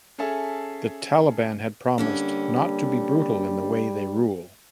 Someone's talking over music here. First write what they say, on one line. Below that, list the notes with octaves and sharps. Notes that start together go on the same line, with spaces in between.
The Taliban had promised not to be brutal in the way they rule.
C#4 G#4 A4 E5 A5
D3 G3 A#3 C#4